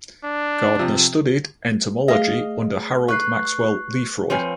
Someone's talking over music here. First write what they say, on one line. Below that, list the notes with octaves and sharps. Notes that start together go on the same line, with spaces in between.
Gardner studied entomology under Harold Maxwell Lefroy.
D4
C3 F3
A3 G#4 D#5 F5
B4 C#6 F#6 C7
F3 C4 B4 C#5 G#5